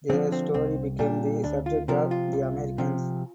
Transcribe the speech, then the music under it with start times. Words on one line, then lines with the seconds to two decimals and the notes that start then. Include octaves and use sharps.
Their story became the subject of "The Americans".
0.10 D3 F3 C4
0.32 C4
0.54 C2 C4
0.99 A#2 G3 D4
1.43 D2 D4
1.66 F4
1.88 C3 F3 A#4
2.11 F4
2.33 C2
2.78 C3 F3